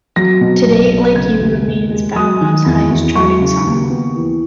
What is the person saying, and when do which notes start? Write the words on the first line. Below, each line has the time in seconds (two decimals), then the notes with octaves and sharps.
To date, "Like You" remains Bow Wow's highest charting song.
0.16 F#3 A#6
0.41 B2
0.66 B1
0.90 B1
1.16 C#3 G#6
1.41 D#2
1.66 E1
1.90 G#3
2.15 F#3 D#6
2.41 D#3
2.66 E2
2.91 E2
3.15 F#3 C#6
3.40 C#3
3.66 D#2
3.90 B3
4.15 E3